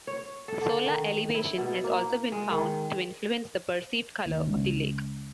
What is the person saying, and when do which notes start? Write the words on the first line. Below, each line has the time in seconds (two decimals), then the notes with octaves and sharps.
Solar elevation has also been found to influence the perceived colour of the lake.
0.07 C#5
0.48 A4
0.61 D3
0.86 D#3
1.34 E4
1.58 B2
1.84 A#3
2.32 G#3
2.51 D#3
4.26 D#2
4.47 C#2